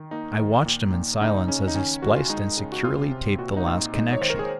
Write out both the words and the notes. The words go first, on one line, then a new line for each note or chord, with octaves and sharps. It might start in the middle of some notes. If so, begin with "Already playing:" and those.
I watched him in silence as he spliced and securely taped the last connection.
Already playing: D#3
A#3 D#4
D#3
A#2
A#2
C#3 D#4
C#3 C#4
D#4
D#3 C#4
D#3 F#4
F4
G#3 D#4
C#3
F#4
C3 F4
C3
A#2 F#4
D#4
A#2 F4
G#3 D#4
C#5
D#3 C5
A#4
G#4